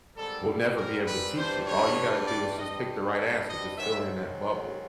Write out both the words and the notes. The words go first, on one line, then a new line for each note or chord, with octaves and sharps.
will never be able to teach you. All you gotta do is just pick the right answer, just fill in that bubble.
G#2 D#3 G3 C4 A4
A#4
B4
G2 E3 G3 C5
C#5
D5
G2 D#3 G3 C4 D#5
E5
D#5
G#2 D#3 F#3 E5